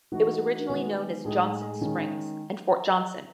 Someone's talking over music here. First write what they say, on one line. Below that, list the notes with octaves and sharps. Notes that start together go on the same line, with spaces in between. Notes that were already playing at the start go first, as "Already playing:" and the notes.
It was originally known as Johnson's Springs and Fort Johnson.
E3 A3 D#4 F#4
D#3 G#3 B3
A2 G#3 D#4 G#4
D#3 G#3 C#4